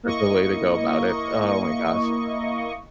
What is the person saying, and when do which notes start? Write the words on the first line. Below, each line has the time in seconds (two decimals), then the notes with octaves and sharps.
that's the way to go about it. Oh my gosh.
0.03 A#3 E4 D#5 C#6